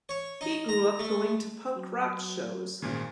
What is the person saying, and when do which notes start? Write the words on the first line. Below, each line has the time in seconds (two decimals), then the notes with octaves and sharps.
He grew up going to punk rock shows.
0.09 C#5
0.41 D#4
0.69 A#5
0.99 A3
1.76 F#3
2.82 G#1 A#2 C#3